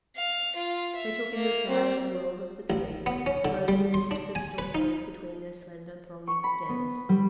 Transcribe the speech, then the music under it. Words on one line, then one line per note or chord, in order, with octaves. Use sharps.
They took in the silent world of the trees, the rosy mist that still glowed between their slender, thronging stems.
F5
F4
E5
A#3
C4
A1
B3
C#4
D3
G3
C6
D4
G#5
B4
D#4
C#6
B5
B3
G3